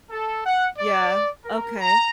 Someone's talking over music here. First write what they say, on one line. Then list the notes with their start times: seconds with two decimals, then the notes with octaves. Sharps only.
Yeah, okay.
0.10 A4
0.46 F#5
0.78 D5
1.44 A#4
1.80 A#5